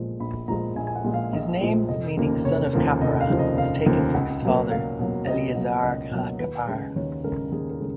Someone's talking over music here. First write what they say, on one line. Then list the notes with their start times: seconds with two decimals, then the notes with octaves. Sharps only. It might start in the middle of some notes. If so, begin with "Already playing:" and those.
His name, meaning "Son of Kapparah", was taken from his father, Eleazar ha-Kappar.
Already playing: A#1 A#2 F3 G#3
0.20 A#1 B5
0.48 A#2 F3 G#3 A#5
0.76 A#1 G#5
0.87 G#5
0.95 F#5
1.04 A#2 F3 G#3
1.14 F5
1.33 A#1 D#5
1.61 A#2 F3 G#3
1.89 F1 D#5
2.17 D#2 C#3 F3 A#3
2.45 F1 C#5
2.73 D#2 C#3 F3 A#3
3.01 F1 D#5
3.20 F5
3.30 D#2 C#3 F3 A#3
3.39 D#5
3.58 F1 F5
3.86 D#2 C#3 F3 A#3
4.14 C#2 F#5
4.42 B2 F#3 A#3
4.71 C#2 F5
4.99 B2 F#3 A#3
5.27 C#2 D#5
5.55 B2 F#3 A#3
5.83 C#2 D#5
6.11 B2 F#3 A#3
6.40 D#2 B4
6.68 C#3 G#3
6.96 D#2 C#5
7.24 C#3 G#3 A#4
7.52 D#2 G#4
7.71 A#4
7.80 C#3 G#3